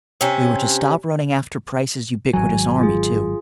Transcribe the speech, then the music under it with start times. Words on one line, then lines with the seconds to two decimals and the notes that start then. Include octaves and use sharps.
We were to stop running after Price's ubiquitous army too.
0.21 C3 C#4
2.33 G#1 F#3 G#5
2.79 F4 G#4